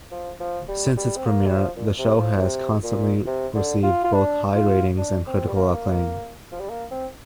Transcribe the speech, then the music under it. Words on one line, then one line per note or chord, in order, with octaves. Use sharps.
Since its premiere, the show has constantly received both high ratings and critical acclaim.
F3
F3
G3
G3
C4
A#3
G3
F3
A#2
C3
F3
A#2
C3
A#2
C3
D3
F4
F4
D4
F4
D4
C4
G3
A#3
F3
G3
A#3
C4